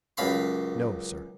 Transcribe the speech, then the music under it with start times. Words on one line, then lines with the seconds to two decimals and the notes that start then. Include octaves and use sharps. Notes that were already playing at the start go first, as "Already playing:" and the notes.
"No, sir."
0.17 C#2 F#2 F5 B5 C6